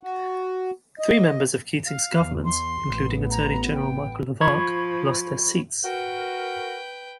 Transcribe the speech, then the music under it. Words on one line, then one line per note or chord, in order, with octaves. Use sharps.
Three members of Keating's government-including Attorney-General Michael Lavarch -lost their seats.
F#4
D#5
F5
E2
C6
A1 B3
A#5
G5
F3 B5 C#6 G#6
F#4 A#4 B4 G5